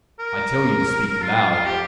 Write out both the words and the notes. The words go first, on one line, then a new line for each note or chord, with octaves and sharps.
"I tell you to speak loud."
A#4
A#4
F4
F4
F4
G4